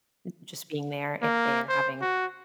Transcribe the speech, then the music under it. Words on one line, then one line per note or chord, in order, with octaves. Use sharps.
n just being there if they're having,
A#3
C5
F#4